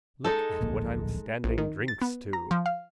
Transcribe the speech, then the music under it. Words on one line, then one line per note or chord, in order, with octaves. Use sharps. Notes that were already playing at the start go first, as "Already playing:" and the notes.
Look at what I'm standing drinks to!
G#3 D#4 A4
D1 A#1 A#3
A#1
D#3
A6
B3
A#5
F3
F5